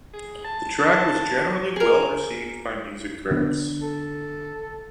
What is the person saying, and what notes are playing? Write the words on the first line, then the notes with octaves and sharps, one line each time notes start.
The track was generally well received by music critics.
G#4
A5
A5
G#4 A#4
D3 B3 D4
A4